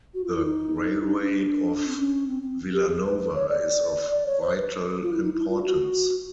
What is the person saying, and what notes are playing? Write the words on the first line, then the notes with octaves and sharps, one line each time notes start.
The Railway of Vilanova is of vital importance.
F#4
F4
E4
D#4
E4
D#4
D4
C4
C#4
C4
C4
G4
G#4
B4
B4
C#5
D5
D5
C#5
C5
B4
F4
E4
D#4
E4
F4
F#4